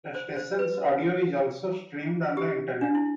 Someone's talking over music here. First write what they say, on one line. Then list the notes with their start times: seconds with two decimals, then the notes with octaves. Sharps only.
The station's audio is also streamed on the internet.
0.15 C5
0.36 C5
0.59 B4
2.37 G4
2.81 D4
2.95 E4